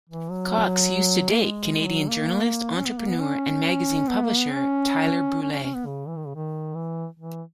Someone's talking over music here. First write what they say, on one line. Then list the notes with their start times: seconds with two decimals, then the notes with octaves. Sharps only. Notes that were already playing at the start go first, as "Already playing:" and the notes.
Cox used to date Canadian journalist, entrepreneur, and magazine publisher Tyler Brûlé.
0.09 E3
0.31 F#3
1.32 A#3
1.42 G#3
1.79 G#3
1.87 F#3
2.09 A#3
2.76 C#4
2.86 B3
2.98 A#3
3.07 B3
3.20 C#4
4.08 B3
4.24 A#3
4.38 B3
4.53 C#4
5.42 C#4
5.53 C#4
5.63 C#4
5.74 B3
5.86 C#3
6.08 E3
6.17 D#3
6.27 C#3
6.35 D#3
6.75 E3
7.19 E3